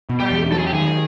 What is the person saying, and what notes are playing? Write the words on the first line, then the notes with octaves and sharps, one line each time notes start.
Are you? Yeah.
B2
G4
E2
F#3 A4
G#4
G4
D#3 G#4